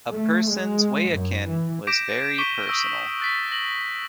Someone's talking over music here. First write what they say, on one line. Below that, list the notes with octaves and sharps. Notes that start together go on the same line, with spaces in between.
A person's weyekin was very personal.
A3
G#3
F#2
E3
D6 G6 A#6 B6 D7 E7
C#6 D6 B6 D#7 G7
D#6 E6 A#6
F#6 A6 B6
A#6 F#7